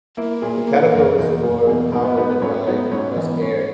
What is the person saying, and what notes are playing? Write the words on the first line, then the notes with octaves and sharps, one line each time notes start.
The catapults were powered by compressed air.
A#3 E4
A#2 G#4
A#3 E4
F#1 A#4
E2 B2 A#3 D#4
F#1 G#4
E2 B2 A#3 D#4 G#4
G#2 A#4
B3 B4
F#3 B3 D#4 B4
B3 B4
G#2 C#4 C#5
F#3 B3 D#4 B4
G#2 C#4 C#5
E3 B3
G#2 C#4 C#5